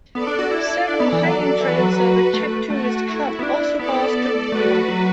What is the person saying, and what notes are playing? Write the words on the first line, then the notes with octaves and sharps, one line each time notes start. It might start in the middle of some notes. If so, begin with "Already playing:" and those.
Several hiking trails of the Czech Tourist Club also pass through Brno.
B3 A4 D5
D4
F#4
E4
D4 A4 D5
B3
E3
F#3
E3 F#4 B4
F#3
A3
A3 F#4
E4
B3
D4
B3 A4 D5
A4 D5
A3 F#4 B4
F#3